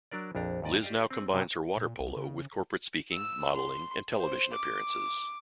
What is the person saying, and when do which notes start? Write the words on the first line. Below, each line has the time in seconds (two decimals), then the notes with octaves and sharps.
Liz now combines her water polo with corporate speaking, modelling and television appearances.
0.11 F#3 D4 A#4 D5
0.35 A#1 F2 D4 A#5
0.62 D#2 G#2 D5 D#5
0.82 G4 D5 D#5 F5 G5
1.10 C4
1.34 G2 C3 F#3
1.77 A#2
2.00 C2
2.17 C#3
3.14 E6
3.54 C6
4.18 C5
4.54 D6